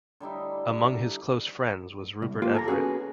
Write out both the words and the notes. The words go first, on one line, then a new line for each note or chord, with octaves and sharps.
Among his close friends was Rupert Everett.
D3 G3 D#4 E4
C2
A#3 F4 G4
A4 G#5 A#5
B3 C#4 F#4 G#4